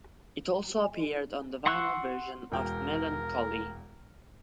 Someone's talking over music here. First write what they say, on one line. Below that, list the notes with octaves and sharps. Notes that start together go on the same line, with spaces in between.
It also appeared on the vinyl version of "Mellon Collie".
F#5 C6 C#6 E6 F#6
E1 A#4 G5